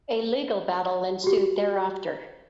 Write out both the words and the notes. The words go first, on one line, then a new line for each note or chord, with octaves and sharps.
A legal battle ensued thereafter.
F#4 G4